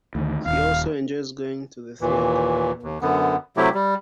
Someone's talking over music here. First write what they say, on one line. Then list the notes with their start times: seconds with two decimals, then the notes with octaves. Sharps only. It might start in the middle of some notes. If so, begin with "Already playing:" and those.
He also enjoys going to the theatre and walking.
0.15 D2 D#3
0.46 D#1 D#2 F5
2.01 D#2 A#2 E3
2.83 D#2
3.02 F#2 D3 B3
3.57 C3 F#3 A3 E4 G4
3.75 G3